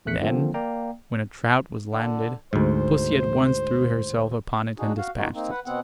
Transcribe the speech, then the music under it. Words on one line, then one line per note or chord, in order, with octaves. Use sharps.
Then, when a trout was landed, pussy at once threw herself upon it and despatched it.
A#1 E2 A3 F#6 B6 C#7
D3 F3 A#3 C4
A#3 D5 F5 G5 A#5
D3
D2 G#2 C5
D4 D#4 F#4 G#4
F#4 F5
A#3 D#4 F4 F#4
A#3 C4 D#4
B4 F#5
B2 B3 C4 F#5